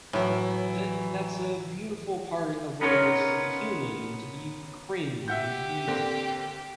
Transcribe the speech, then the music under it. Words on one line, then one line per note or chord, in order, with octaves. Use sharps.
E the that's a beautiful part of what it is to be human and to be "cringe" and to be
A2 E3 F#3 E4
B3 C#4 D#4 F4 A#4 C#5
G4 E5 F#5 G6
D3 A#3 C4